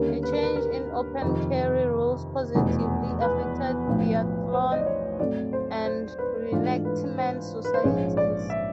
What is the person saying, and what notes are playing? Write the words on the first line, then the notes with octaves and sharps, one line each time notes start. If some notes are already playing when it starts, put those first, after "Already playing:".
A change in open carry rules positively affected biathlon and reenactment societies.
Already playing: D#2 D3 G3 A#3 C#4 A#4
B4
A#4
B4
A#4
F2 C3 D#3
F1 E2 B2
B4
B1 A2 F3
C5
D#5
D5
C#5
A2 F#3 A3 C4 D5
C5
C5
B4
G#2 E3 A3 D4 F4
B4
C5
B4
C5
A#1 G#2 F3 G#3 C#4 C#5
D5
E5